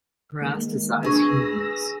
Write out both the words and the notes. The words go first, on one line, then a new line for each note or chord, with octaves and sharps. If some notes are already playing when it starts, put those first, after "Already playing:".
They do not parasitise humans.
D#3 G#3 A#3
D4 G#4 B4 C#6 E6 A#6